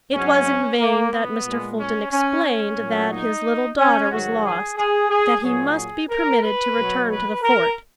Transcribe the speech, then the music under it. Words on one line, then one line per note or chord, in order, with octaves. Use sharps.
It was in vain that Mr. Fulton explained that his little daughter was lost, that he must be permitted to return to the fort.
G#2 F#3 C#4
A#3
B3
A#2 G#3
C#4
C#4
C#4
A#2 F#3
D#4
C#4
G#2 D#3 F#3 F#4
G#4
G#4
G#4
A#2 F#3 G#4
A#4
B4
B2 F#3
B4
A#4